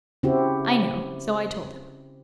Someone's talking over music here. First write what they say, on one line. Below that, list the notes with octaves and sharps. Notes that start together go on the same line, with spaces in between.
I know; so I told him.
C#3 C4 E4 F#4 G4